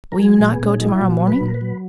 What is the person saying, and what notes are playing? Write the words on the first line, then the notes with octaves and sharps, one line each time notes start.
"Will you not go tomorrow morning?"
A#4
F#3 G#4
A#2
B3
A#2 C#4
F#3 D#4
E4
A#2 F#4
F#3
B4
A#2
A#4
B4
F#3